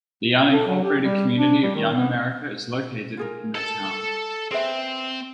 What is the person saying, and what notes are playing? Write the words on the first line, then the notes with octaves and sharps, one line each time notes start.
The unincorporated community of Young America is located in the town.
A4
F#3
G4
G3
D4
G3
D#3
B3
F4 G#4 A#4
A4 A5
C4 G#4 B4 E5